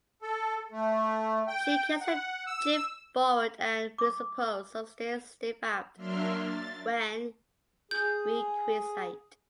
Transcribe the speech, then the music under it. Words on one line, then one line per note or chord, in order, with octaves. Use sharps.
She carries a jib forward and, we suppose, some steering sail aft, when requisite.
A4
A3
G5
F#5
E6
D6
F#3 A#3 D4 E5 C6 F6
A6
G#4 G6